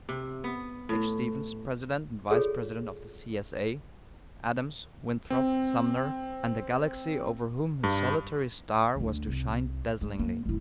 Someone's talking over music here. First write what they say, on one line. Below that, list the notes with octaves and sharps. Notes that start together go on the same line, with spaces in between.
H. Stephens, President and Vice-President of the C. S. A.; Adams, Winthrop, Sumner, and the galaxy over whom his solitary star was to shine dazzlingly.
C3
B3
A2
F4 G#4 A4 C#5 D5
C4
G2
D2 D3
C2
G#3
A#3
F1 E4